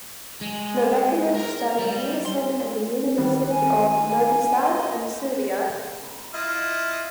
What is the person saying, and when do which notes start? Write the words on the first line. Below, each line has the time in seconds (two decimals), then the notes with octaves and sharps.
Novakovich studied medicine at the University of Novi Sad in Serbia.
0.41 G#3
1.35 A#4
1.80 G3
2.26 C6
3.18 D#3 G3 B3
3.50 G#5
4.63 D#5
6.33 E4 F4 D#5